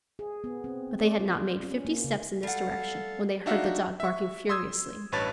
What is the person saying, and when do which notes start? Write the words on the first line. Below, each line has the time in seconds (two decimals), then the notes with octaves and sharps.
But they had not made fifty steps in this direction, when they heard the dog barking furiously.
0.19 G#4
0.44 B3
0.64 C4
1.01 D5
1.20 F4
1.63 C#4
1.85 A#3
2.04 C#3
2.43 G3 A4 F5 F#5
3.46 D4 D#4 F#4 E5 F5
4.00 E5 C#6
4.49 C6 D#6 E6 G#6
5.12 A1 G2 B4 C#5 A5 A6